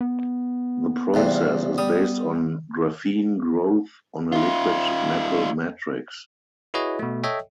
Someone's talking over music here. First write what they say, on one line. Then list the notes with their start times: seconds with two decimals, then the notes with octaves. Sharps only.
The process is based on graphene growth on a liquid metal matrix.
0.01 B3
1.14 E2 G2 C3
1.78 G3 D#6
4.32 D#4 F4
6.74 E4 F#4 G#4 B4 C#5 D#5
6.99 B2 A3
7.23 A4 C#5 D#5 E5 G5